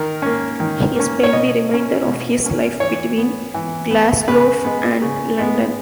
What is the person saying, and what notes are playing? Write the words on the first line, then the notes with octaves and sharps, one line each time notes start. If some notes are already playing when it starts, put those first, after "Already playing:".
He spent the remainder of his life between Glaslough and London.
Already playing: D#3 A#4
A#3 C#4
D#3
A#3 C#4
C#5
B2 D#5
A#3 C#4
B2
A#3 C#4
E3 C#5
B3
E3
B3
C#3 B4
G#3 B3
C#3
G#3 B3